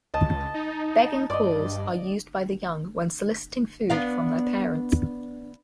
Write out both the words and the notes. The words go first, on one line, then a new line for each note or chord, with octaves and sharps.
Begging calls are used by the young when soliciting food from their parents.
C#2 D#5 A5
D#4
G2 D5 D#5
B3 D4 F5